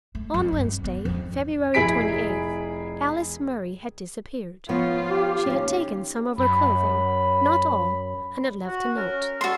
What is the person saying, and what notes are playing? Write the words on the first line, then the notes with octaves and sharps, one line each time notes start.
On Wednesday, February twenty-eighth, Alice Murray had disappeared. She had taken some of her clothing--not all, and had left a note.
A3
F2
G2
B3
F2 D#3
F1 E4 G#4 B5 B6 D7
F3 B3 F4 C#5
G4
D#2 C#4
F#2 B5
F#4
C#4 A#4
C3 G3 F#4 A4 C6